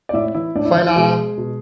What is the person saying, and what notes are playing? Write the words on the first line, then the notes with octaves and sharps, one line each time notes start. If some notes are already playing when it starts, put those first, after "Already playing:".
Fight Lah!
D5
A2 E4 E5
E3 E4 E5
A2 D4 D5
E4
E3 E4
E4
B2 G#3 G#4
B2